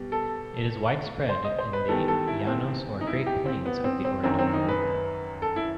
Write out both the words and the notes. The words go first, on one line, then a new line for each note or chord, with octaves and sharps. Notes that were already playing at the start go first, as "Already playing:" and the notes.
It is widespread in the Llanos or Great Plains of the Orinoco river.
Already playing: B2 G3
A4
C5
D#5
C5
B4
E2 D#3 G3 A4
A4
E4
C4
D#4
E4
G4
C4
B3
C4
C4
F#2 D#3 F#3 C4
C4
D#4
B4
A4
E4